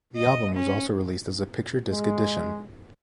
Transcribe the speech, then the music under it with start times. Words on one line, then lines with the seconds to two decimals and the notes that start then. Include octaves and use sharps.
The album was also released as a Picture Disc Edition.
0.17 D#5
0.55 C#4
1.89 G#3